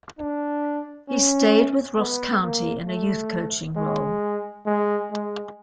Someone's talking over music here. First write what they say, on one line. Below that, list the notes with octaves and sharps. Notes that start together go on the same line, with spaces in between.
He stayed with Ross County in a youth coaching role.
D4
C#4
B3
A#3
A3
G#3
G#3
G#3